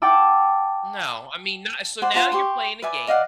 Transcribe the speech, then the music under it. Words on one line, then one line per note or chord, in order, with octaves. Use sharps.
No, I mean, not so now you're playing a game,
F#5 G5 A5 D6 E6
C5 D5 F#5
F4 C5 F#5 A5
G4 C6 C#6
B4 D5 E5 G#5
D5 D#5 F5 F#5